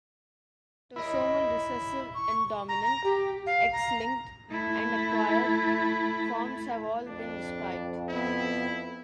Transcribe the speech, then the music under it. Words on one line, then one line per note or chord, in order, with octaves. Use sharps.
Autosomal recessive and dominant, X-linked, and acquired forms have all been described.
D#2 E4 A#4 D#5
C#6
A#5
A#5
G4
F5
A#5
A3 E4
F2 D4
B3 E4